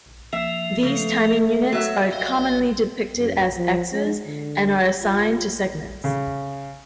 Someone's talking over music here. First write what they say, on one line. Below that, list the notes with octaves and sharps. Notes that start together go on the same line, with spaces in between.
These timing units are commonly depicted as X's, and are assigned to segments.
F3 A#3 E5
C#3 A3
F#3 F#4 E5
D#5 F5 G5
F#2
F3
G#3
D3
F4
C#3